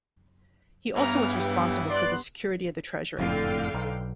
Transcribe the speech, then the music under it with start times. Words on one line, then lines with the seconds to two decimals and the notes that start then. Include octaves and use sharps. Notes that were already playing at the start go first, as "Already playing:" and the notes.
He also was responsible for the security of the treasury.
0.95 G2 C#3 E3 B3 A#5 F6
1.31 G4
1.89 D5 C6 F#6
3.19 F#1 F2 A2 D3 F5 G5
3.74 B1